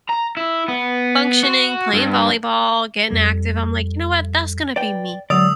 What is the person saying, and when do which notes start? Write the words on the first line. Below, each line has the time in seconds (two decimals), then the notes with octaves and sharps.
functioning, playing volleyball, getting active, I'm like, "You know what? That's gonna be me."
0.09 A#5
0.37 E4
0.68 B3
1.43 F#4
1.93 G2
3.09 F2 G3 A4
4.76 B4 D5 G5
5.30 D3 F#3 G#3 D5 D#6 E6 F7